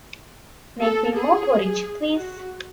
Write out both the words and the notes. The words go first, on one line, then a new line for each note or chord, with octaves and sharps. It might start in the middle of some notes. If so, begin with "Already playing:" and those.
Make me more porridge, please!
A4
G#4
F#4